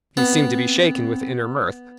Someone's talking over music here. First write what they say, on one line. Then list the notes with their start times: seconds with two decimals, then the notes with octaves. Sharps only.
He seemed to be shaken with inner mirth.
0.17 B3 C4